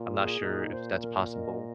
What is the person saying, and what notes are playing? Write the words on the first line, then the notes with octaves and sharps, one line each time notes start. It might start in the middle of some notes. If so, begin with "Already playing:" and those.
I'm not sure if that's possible
Already playing: A#2 F4
G#4
A#2 D#4
C5
A#4
D#5